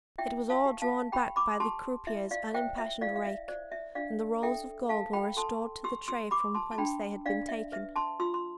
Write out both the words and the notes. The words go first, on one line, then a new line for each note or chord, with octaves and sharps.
It was all drawn back by the croupier's unimpassioned rake, and the rolls of gold were restored to the tray from whence they had been taken.
E4 E5 G5
F5 A5
G4
F5 A5
G4 G5 B5
B5 D6
G4 A5 C6
E4 E5
D5 F5
C5 E5 G5
E5
E4 D5 F5
F5
E5
C5 D5
E5
D4 D5 F5
A4 E5 G5
A4 F5 A5
G5 B5
A4 A5 C6
G4 C6 E6
C6 E6
G4 B5 D6
A5 C6
A5
D4 G5 B5
D4 D5 F5
E5
B4 E5
A5 C6
F4 C6 E6
C6